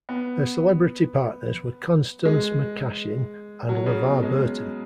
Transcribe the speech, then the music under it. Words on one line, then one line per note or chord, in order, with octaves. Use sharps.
Her celebrity partners were Constance McCashin and LeVar Burton.
B3
G#3
F#3
C#3
B2
G#3